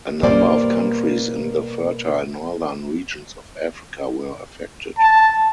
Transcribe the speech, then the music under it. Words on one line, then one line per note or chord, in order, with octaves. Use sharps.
A number of countries in the fertile northern regions of Africa were affected.
B2 G3 A#3 C5 D5
A5